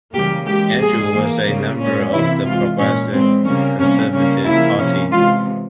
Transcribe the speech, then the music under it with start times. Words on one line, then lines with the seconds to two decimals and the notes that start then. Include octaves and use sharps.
Andrewes was a member of the Progressive Conservative Party.
0.13 C#3 E3 G3 A#3 G4
0.46 E3 G#3 G4
0.79 A#2 F3 G#3 G#4
1.13 E3 A#3
1.46 C#3 G3 A#3
1.79 A#2 G#3 C#4
2.13 C3 E3 A#3 E4
2.45 E3 G#3 F4
2.79 A#2 G#3 C#4
3.12 E3 G#3 C4
3.45 C#3 G3 A#3 C#4
3.78 C3 G3 A#3 C#4
4.12 C#3 G3 A#3 C#4
4.45 C#3 F3 A#3 E4
4.79 C3 F3 A#3 C#4
5.12 C3 E3 G#3 F4